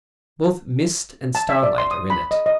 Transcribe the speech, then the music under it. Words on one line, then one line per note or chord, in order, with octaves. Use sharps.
Both mist and starlight are in it.
A5
E5
D5
C6
D#6
B5
D#5
D#5